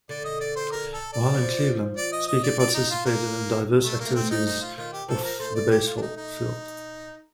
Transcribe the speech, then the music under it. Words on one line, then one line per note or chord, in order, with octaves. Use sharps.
While in Cleveland, Speaker participated in diverse activities off the baseball field.
D3 D5
D#5
D5
C5
A#4
A4
D5
F3
D5
D#5
D#5
D5
D5
D#4
F4
A#3
G3 A3
A#3
A3
C4
F3
D#4
D#3 D#4
F4
D#3 F4
G4
F3 A4
A#4
A3 C5
D5
G4
F4
D4
D#4
D#4